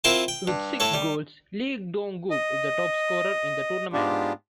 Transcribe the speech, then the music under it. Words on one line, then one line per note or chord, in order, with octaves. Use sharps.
With six goals, Lee Dong-Gook is the top scorer in the tournament.
C4 E4 F4 A#4 G5 A5
G5
G2
A2 A4 C#5
G3
D#5
G#2 G#3 B3 D4 F4 G4